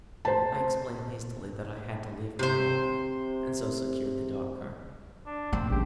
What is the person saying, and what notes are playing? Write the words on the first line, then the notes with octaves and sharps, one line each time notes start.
I explained hastily that I had to leave my home, and so secured the dog cart.
C5 A5
C3 C5
D4
A#1 A#3 C4
A1 G2 C#3 G4 G5